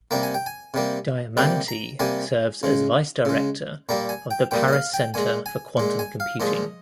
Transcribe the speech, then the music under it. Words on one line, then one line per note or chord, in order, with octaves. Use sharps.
Diamanti serves as Vice Director of the Paris Centre for Quantum Computing.
C3 G3 A#3 A#5
G#5
G5
G#5
C3 G3 A#3
C3 G3 A#3 G5
A#5
C3 G3 A#3 G#5
C#3 G#3
C#3 G#3
A#2 G3 A#3 A#5
G#5
G5
A#2 G3 A#3 G5
D#5
F5
G5
A#2 G#3 G#5
G#5
A#2 G#3
G#5
F5
A#2 F3 G#3 D#5